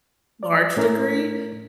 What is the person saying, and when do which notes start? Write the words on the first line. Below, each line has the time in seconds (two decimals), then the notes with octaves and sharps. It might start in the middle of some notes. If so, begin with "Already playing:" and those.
large degree,
0.43 D5
0.76 A2 A3 C#4 E4 A#4